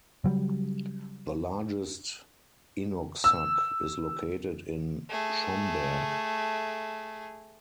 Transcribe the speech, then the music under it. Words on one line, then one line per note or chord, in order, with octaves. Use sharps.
The largest inuksuk is located in Schomberg.
C#3 F#3 G3
E6
A3 G#4